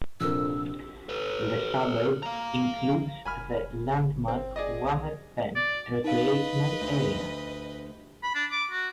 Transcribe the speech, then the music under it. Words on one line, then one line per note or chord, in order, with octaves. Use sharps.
The suburb includes the landmark Wemmer Pan recreational area.
A#1 F2 C3 A#4 E6
A4 B4
F5 A#5
F1 G#5 B5 F6
G1
C4
G#4 D5 D#5
B1
D5
D#4 B4 D#5 F5
D2
B5
D4
D6
F#4